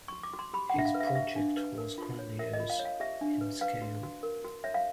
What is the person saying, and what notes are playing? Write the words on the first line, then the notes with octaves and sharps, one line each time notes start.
His project was grandiose in scale.
C#6
F#4
D6
F#4
C6
G4 B5
F#5
D4 E5
F5
B4
E5
F5
G4 E5
D4
B4
A#4
F4
C#5
A#4 E5
D#5
F4
F5
C#5
F5
G4 E5
D4
B4
B4 F5
F#4
F#4
A#4
F#4
C#5 E5
F5